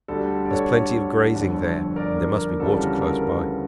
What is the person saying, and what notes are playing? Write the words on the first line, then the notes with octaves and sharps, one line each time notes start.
There's plenty of grazing there and there must be water close by.
D2 D3 G3 A4
D5
A4 C#5
G1 F2 D3
A#4 D5
A#4
A#4
D2 C#3 E3 G3 A4
A#4
A#4
A#4